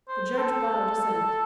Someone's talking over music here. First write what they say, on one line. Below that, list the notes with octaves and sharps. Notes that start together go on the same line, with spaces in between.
The Judge bowed assent.
C5
A4